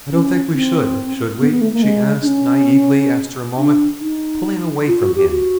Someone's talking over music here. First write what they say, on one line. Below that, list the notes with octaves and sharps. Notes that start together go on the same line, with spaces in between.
"I don't think we should, should we?" she asked, naively, after a moment, pulling away from him.
C#4
C4
B3
B3
A3
A#3
G#3
D4
C#4
D4
D#4
F4
F#4
G4
F#4